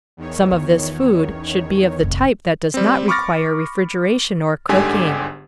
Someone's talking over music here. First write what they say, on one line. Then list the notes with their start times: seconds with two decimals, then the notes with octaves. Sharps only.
Some of this food should be of the type that does not require refrigeration or cooking.
0.17 E2 D#3 C#5
0.51 B3 F4
1.28 C#4
2.00 F1 A#1
2.74 G3 C4
3.08 B5 C#6 D6 F6 A6 A#6
4.69 G1 G#2 D3 G4 G#5